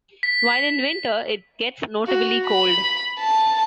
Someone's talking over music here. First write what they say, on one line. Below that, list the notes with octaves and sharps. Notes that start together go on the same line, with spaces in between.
While in winter, it gets notably cold.
B6
F#4
B5
A5